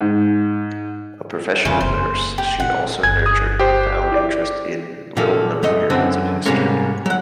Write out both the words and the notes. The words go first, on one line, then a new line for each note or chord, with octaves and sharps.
A professional nurse, she also nurtured a profound interest in little-known periods of history.
G#2
F2 C#3 E3 F4
F#1 C5
G4
A#2 C#4 F#5
G1 G#5 F#6 G#6
D#6
G4 C5
E4 D5
A#2 D#3 F3 A3 A#3
F#2 A3 D#5
F#2 D3 E3 C4
G#2 C3 G3 G#3 A#3 C#4
F#3 F#5